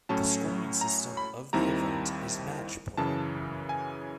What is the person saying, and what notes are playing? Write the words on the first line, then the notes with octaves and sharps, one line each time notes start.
The scoring system of the event is match play.
A2 F#3 A3 C#4 E4 A5
A#5
B5
D#2 D#3 G3 C4 E4 A#5
F#2 C#3 E3 A5
G#5